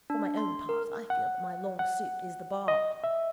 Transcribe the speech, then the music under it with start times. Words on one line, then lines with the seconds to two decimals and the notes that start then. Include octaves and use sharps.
For my own part, I feel that my long suit is the Bar.
0.10 D4
0.37 C6
0.69 A#4
1.10 F#5
1.79 F#5
2.68 D#5
3.04 E5